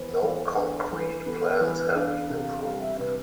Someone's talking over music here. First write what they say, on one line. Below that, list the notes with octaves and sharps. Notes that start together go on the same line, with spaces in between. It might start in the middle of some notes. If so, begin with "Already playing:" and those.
No concrete plans have been approved.
Already playing: E3 B3 C5
E3
D4 B4
E3
B3 A4
E3 B4
D4 F5
C3 F5
G3 F5
E5
C3 B4